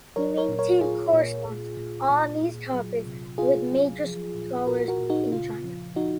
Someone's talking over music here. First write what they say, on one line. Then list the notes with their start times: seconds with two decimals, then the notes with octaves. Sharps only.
He maintained correspondence on these topics with major scholars in China.
0.16 F#3 A#4 C#5
0.37 A#4 C#5
0.49 A#2
0.59 A#4 C#5
0.80 A#2 F4 G#4
1.13 A#2
1.45 A#2
1.77 A#2
2.10 A#2
2.42 A#2
2.74 F#3
3.06 C3
3.38 C3 F4 G#4
3.71 F#3
4.03 F3
4.34 A#2
4.67 A#2 F#4 A#4
4.88 F#4 A#4
5.00 A#2
5.10 D#4 F#4
5.32 C#3 F4
5.64 F3
5.96 F3 D#4 F#4